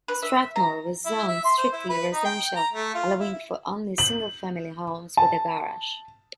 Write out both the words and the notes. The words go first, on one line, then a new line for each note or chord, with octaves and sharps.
Strathmore was zoned strictly residential, allowing for only single-family homes with a garage.
B4
E5
A#5
E4
E5
C6
C5
E4
B4
D#4
G5
A#5
A3
F4
E4
F#7
A5